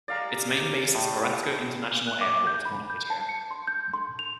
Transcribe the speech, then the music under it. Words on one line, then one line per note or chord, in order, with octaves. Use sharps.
Its main base is Carrasco International Airport, Montevideo.
G3 G#3 D5 F5 A#5
A2
F#6
D6
G6
B5
G6
A5
C#7
C6
G6
C6
F7